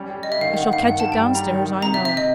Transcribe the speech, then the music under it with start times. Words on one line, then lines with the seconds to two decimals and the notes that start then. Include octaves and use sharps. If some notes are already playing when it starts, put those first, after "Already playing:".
I shall catch it down stairs, I know.
Already playing: G3 C#4
0.10 G3
0.23 G3 D#5
0.32 E5
0.41 D#3 F5
0.57 D#3 F#5
0.72 G2 F5
0.88 D#3 F#5
1.00 G2 A5
1.12 G5
1.19 G3
1.35 G3 A#5
1.51 D#3
1.66 D#3
1.82 C3 A#5
1.94 E5
1.97 C3
2.05 E5
2.14 C3 D#5